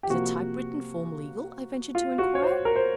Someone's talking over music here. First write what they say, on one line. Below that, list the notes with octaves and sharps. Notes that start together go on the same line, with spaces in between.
'Is a typewritten form legal?' I ventured to inquire.
G4
C3 F3 A#3 F#4
F4
F#4
C#5
C5
A#4
C5